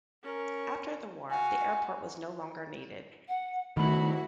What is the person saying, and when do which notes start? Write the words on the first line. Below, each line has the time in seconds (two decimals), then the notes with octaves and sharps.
After the war, the airport was no longer needed.
0.23 C#4 A#4
1.30 F#4 F5 G#5
3.28 F#5
3.77 D#3 A3 E4 F#4 B5